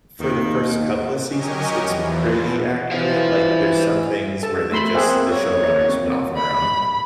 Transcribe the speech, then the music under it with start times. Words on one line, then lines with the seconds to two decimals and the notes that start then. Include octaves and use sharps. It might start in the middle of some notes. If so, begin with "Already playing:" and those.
for the first couple of seasons, it's pretty accurate, like, there's some things where they just the showrunners went off on their own,
0.21 D#2 D#3
1.26 F#3 G4 A#4 D#5 G#5 C#6
1.80 E2 E3 F3
2.91 E3 C5 F5
4.43 A4 A5
4.72 A3 B5 C6 E6
4.94 A#3 C4 G#4 E5 F#5 C6
5.31 A#3 C#5 D#6
5.89 C4
6.37 B5